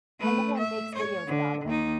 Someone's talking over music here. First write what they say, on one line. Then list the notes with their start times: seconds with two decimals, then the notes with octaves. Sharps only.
And no one makes videos about it.
0.20 A3 B4
0.58 E5
0.96 C#5
1.27 D3
1.65 D#2 D#4